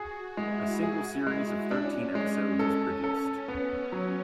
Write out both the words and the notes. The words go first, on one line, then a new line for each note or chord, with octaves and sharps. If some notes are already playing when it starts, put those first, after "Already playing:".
A single series of thirteen episodes was produced.
Already playing: F#4 G#4
G#3 E4
G#4
G#3
C#4 D4
G#3
A4
A4
B3
F#3